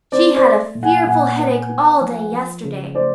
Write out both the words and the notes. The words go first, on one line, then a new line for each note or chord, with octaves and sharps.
She had a fearful headache all day yesterday.
C4 C5 D5
C5 D5
A3
A#2
F#5 G#5
A#2 F#5 G#5
B3
B3
F3
F3
C#3
A3 C5 D5